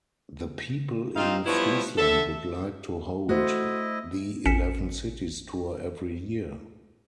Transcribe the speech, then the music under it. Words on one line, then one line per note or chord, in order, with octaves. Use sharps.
The people in Friesland would like to hold the Eleven Cities Tour every year.
C4 D#4 F4 F5
F3 G3 B3 E4 B4 C#5
D3 A4 E5
A3 E4 F#4 C5 D#5
A1 C#4 B6 C#7 E7